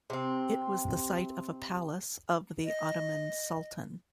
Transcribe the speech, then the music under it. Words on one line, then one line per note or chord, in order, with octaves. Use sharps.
It was the site of a palace of the Ottoman sultan.
C3 C4
D#5